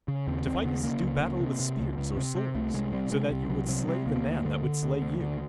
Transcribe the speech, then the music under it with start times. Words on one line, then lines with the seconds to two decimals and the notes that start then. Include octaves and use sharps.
'To fight is to do battle with spears or swords, so that you would slay the man that would slay you.'
0.08 C#3
0.27 D#2 C4
0.46 D#2 C4
0.65 C#3 B3
0.84 C#3 A#3
1.03 C#2
1.22 C#2
1.41 C3
1.60 C3
1.79 C#2
1.98 C#2
2.17 C3
2.35 C3
2.55 C2 A3
2.74 C2 G#3
2.92 C3 G3
3.12 C3 G#3
3.31 C2 G3
3.49 C2 F#3
3.69 C3 F#3
3.87 C3 G3
4.06 D2 A#3
4.26 D2
4.45 D3
4.64 D3
4.83 D2
5.02 D2
5.21 D3